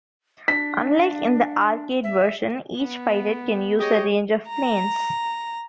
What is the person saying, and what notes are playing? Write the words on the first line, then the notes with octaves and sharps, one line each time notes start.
Unlike in the arcade version, each pilot can use a range of planes.
D4 B6
E5
B3
G4 G#4 C#5 D#5
A#5